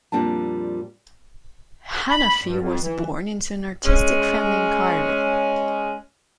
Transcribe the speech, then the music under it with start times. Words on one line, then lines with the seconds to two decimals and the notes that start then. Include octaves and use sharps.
Hanafi was born into an artistic family in Cairo.
0.12 F2 A#2 G3 C4 D4 A5
2.10 B5
2.42 G2
2.59 F2
2.82 E3
3.84 G#3 C#4